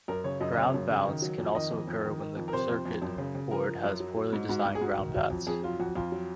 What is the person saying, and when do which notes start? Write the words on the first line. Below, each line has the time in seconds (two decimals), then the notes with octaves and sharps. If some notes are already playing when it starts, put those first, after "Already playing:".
Ground bounce can also occur when the circuit board has poorly designed ground paths.
0.08 F#2 A#4
0.24 C#3 C#5
0.41 F#2 D#5
0.53 D#5
0.57 C#3 C#5
0.74 F#2
0.90 C#3
1.06 D#3
1.22 F#3
1.39 F2
1.55 D#3 D#5
1.71 F2
1.87 F2
2.04 D#3
2.20 D#3
2.36 F2
2.48 A#4
2.53 C3 C5
2.69 F2
2.86 F2
3.02 F#2
3.18 C#3
3.35 C#3
3.51 F3 A#4
3.67 F3
3.84 F#2
4.00 F#3
4.16 F#3
4.33 G#2
4.49 G#2 F#4
4.65 G#2
4.75 G#4
4.81 G#2 F#4
4.98 D#3
5.14 F#3
5.30 F2
5.47 F2 G#4
5.63 F#3 F4
5.80 F2 F#4
5.95 F2 F4
6.12 F#3